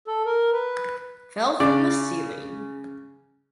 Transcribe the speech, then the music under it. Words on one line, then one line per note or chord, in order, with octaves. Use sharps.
Fell from the ceiling!
A4
A#4
B4
C#3 D5